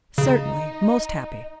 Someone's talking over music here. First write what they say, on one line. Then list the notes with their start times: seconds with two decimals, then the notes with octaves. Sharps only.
"Certainly; most happy."
0.18 C#3 D#4